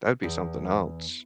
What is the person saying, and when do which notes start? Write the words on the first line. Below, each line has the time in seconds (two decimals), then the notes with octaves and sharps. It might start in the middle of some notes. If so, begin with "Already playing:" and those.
that'd be something else.
0.23 E2